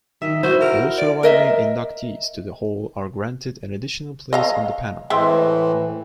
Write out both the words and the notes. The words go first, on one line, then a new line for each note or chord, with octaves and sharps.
All surviving inductees to the Hall are granted an additional place on the panel.
D#3 E5
E4 F#4 C5
A#4
D5
A#4 D#5 E5
D#5 F5 A#5
A2 E3 G#3 C4 E5